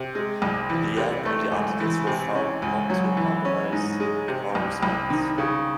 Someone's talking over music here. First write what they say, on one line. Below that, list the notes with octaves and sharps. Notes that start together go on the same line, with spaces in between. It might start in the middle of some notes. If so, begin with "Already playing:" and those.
The act and the articles were found not to harmonize in all respects.
Already playing: C3
G#3
C2
E3
C3
A3
C#2
E3
C3
C#4
C#2
F#3
E3
C#4
G#2
G#3
C3
C2
C2
D#3
C#3